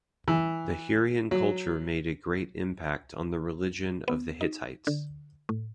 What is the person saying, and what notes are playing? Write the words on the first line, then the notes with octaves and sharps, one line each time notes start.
The Hurrian culture made a great impact on the religion of the Hittites.
E3
F#3
B3
D#4
D3
A2